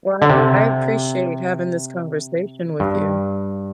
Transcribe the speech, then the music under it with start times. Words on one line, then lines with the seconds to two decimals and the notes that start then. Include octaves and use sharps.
Well, I I appreciate having this conversation with you.
0.22 D3
0.30 C3
2.80 G2